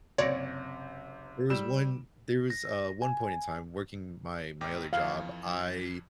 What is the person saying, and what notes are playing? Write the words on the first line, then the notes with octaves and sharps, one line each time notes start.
there was one there was, uh, one point in time working my my other job. I
F#1 C3 C#5 D5 A#6
G3 E6 E7
A#6
G#5
A1 G5 D6
F2 E3 F3 F5